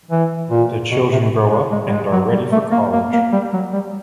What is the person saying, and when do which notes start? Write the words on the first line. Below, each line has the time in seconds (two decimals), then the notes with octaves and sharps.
The children grow up and are ready for college.
0.11 E3
0.51 A#2
0.91 B2
1.12 C3
1.51 G#3
1.71 G#3
1.87 G3
1.92 G#3
2.12 F#3
2.32 G3
2.52 A3
2.72 A#3
2.93 A#3
3.13 A#3
3.32 G3
3.53 F#3
3.73 G3